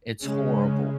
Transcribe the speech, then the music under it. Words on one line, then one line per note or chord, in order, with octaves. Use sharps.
it's horrible.
C#3 G#3 C#4